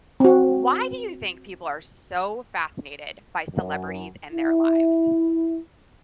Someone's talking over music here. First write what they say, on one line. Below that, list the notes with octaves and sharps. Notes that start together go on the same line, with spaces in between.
Why do you think people are so fascinated by celebrities and their lives?
C4 F#4
F#2
E4